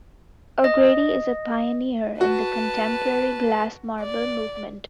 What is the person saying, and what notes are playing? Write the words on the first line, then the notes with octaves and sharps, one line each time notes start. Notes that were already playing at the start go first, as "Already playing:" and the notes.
O'Grady is a pioneer in the contemporary glass marble movement.
D#5
F#4 B4 A5
D5